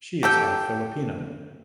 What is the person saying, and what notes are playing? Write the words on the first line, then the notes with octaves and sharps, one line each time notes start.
She is half Filipino.
G4 A4 G5